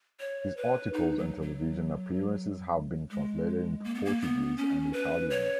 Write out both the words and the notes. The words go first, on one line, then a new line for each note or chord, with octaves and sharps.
His articles and television appearances have been translated into Portuguese and Italian.
C#5
B4
D#4
F#3
F#3
G#3
A#3
B3
A#3
B3
C#4
B4
C#5